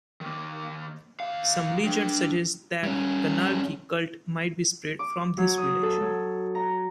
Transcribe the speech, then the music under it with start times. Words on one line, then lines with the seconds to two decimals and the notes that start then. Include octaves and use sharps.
Some legends suggest that Kannaki Cult might be spread from this village.
0.21 D#3 A#3
1.20 D#2 F5
1.85 D4 G5
2.84 G3 C#4
4.99 D6
5.37 F#3
5.58 D#6
5.83 A4
6.01 F#3
6.55 A#5